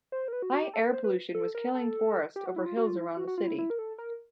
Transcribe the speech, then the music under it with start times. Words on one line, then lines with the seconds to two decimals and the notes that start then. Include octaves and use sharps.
High air pollution was killing forest over hills around the city.
0.12 C5
0.28 A#4
0.33 B4
0.42 F#4
0.53 F#4
0.62 G4
0.74 A4
0.84 A#4
0.93 C5
1.04 B4
1.35 A4
1.55 A#4
1.75 A4
2.36 G4
2.46 F#4
2.56 E4
2.66 F4
2.77 F#4
2.87 F4
2.96 E4
3.17 F#4
3.27 F#4
3.38 F4
3.47 E4
3.59 E4
3.70 A#4
3.79 A4
3.98 A#4